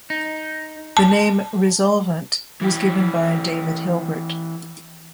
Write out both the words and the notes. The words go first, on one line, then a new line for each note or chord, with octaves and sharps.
The name "resolvent" was given by David Hilbert.
D#4
A5
E3 G4